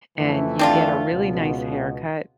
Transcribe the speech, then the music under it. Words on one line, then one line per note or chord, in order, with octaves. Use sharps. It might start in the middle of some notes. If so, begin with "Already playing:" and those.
and you get a really nice haircut,
F2 E3 A3
C4 D4 F4
C#2 B2